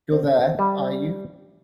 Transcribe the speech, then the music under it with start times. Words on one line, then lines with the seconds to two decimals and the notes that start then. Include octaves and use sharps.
You're there, are you?
0.12 C4
0.28 C#4
0.43 C4
0.59 G3